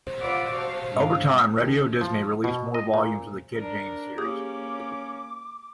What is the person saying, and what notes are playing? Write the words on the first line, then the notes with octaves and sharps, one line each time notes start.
Over time, Radio Disney released more volumes of the "Kid Jams" series.
F4 B4 D5 E5 F#5 D6
F#4 C5 F5 A5
G#2 D3 F5
D#2
F3
B2
D#5
A#2
D4 A#4
A#3 C#4 G4 G#4 D6 D#6